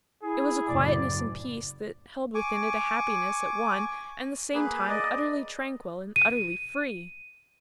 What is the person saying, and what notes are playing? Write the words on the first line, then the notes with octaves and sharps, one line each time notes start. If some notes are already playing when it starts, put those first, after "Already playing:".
It was a quietness and peace that held within it a happiness at one and the same time utterly tranquil and utterly free.
E4 G#4
F#1 A2 D5
G#5 C#6 D6
A#3 G#4 B4
D5 D#5
D#7